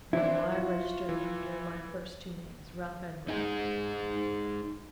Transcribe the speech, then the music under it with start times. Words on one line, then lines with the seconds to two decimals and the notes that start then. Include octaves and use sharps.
No, I registered under my first two names--Ralph Edwards.
0.13 E3 C4 D4 E4 C5
0.52 F4 F#4
1.09 E3
3.28 D#4 G#4